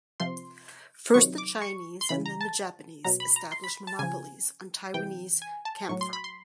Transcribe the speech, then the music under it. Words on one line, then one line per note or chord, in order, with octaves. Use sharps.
First the Chinese and then the Japanese established monopolies on Taiwanese camphor.
C3 F3 C6
C3 D#3 F#3 C#6
D6
C#6
C6
C#3 E3 B5
A#5
A5
B2 F#3 A#5
B5
A#5
C6
B5
A5
C#3 F3 G#5
C3 E3 G5
G#5
A5
A2 F#3 C#6
C6
B5
C6